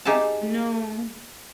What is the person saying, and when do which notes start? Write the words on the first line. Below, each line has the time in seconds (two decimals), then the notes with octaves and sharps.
Oh, no.
0.05 D#4 G4 G#4 E5 F5 A5